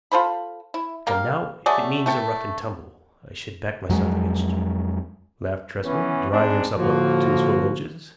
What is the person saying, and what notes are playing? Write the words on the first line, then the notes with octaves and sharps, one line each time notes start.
"Come, now, if it means a rough-and-tumble, I should back myself against you," laughed Tresman, drawing himself up to his full inches.
F4 A4 C5 B5
E4
G3 A#3 A#4 F5
F#3 A3 G#4 D5
A3 A4 G5
F2 F#3 G#3
E3 B3 C#4
G#2 C4 D4
A2 D3 F3 A#3 F4 F#4